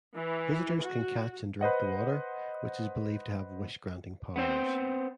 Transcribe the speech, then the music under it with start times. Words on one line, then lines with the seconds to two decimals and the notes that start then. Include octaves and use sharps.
Visitors can catch and drink the water, which is believed to have wish-granting powers.
0.14 E3
0.80 F#4
1.61 B4 C5 D#5 F#5
4.36 B3 C4 C5 G5